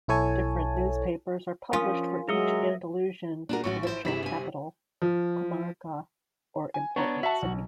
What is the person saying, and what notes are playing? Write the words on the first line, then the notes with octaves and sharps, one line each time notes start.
Different newspapers are published for each Andalusian provincial capital, comarca, or important city.
B1 E4 A4 C#5 G#5 A5
F3 C#4 F4 A#4 G#5 C6 D#6
F#3 G#3 G#4 A#4 E5 D#6 C#7 G7
A#2 D4 F#4 G#4 A#4
A1 F#3 C#4 F#4 C#6
E4 C5
G1 C3 E4 G#4 B6
B2 G#5
F3
G#5
B3 D4 C#5 A#5
F#4 E5 F#5 A5
B1